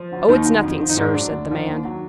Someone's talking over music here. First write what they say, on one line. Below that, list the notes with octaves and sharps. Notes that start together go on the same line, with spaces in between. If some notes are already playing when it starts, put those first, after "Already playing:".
"Oh, it's nothing, sir," said the man.
Already playing: F3
D3 F#3
D#2 D#3 D#4
D3 F#3
F2
D3 F3
D#4
G#2 D4
F#3 D4
D2
D3 F3
D#2
D#3 F#3